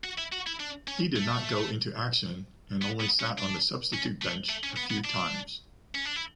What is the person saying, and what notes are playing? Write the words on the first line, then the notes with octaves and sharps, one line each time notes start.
He did not go into action and only sat on the substitute bench a few times.
F#4
E4
F#4
E4
D4
C#4
A3
B3
B3
C#4
D4
C#4
A3
A3
C#4
B3
B3
D4
C#4
D4
E4